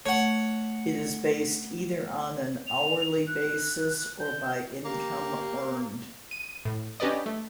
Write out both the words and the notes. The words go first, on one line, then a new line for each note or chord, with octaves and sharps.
It is based either on an hourly basis or by income earned.
A3 C#5 F#5
F7
F#6
G6
A#3 G4
D#7
A2
C#4 D4 G4 B4 D5 D#5
A3